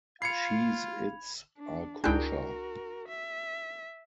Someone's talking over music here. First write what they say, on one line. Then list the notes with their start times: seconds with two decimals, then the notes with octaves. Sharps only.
Cheez-Its are kosher.
0.22 F4 F5 B5 G#6 C7 C#7 F7
1.58 D4
2.04 C#2 D4 E4 F#4 G#4 A#4 G5 F#6
3.08 E5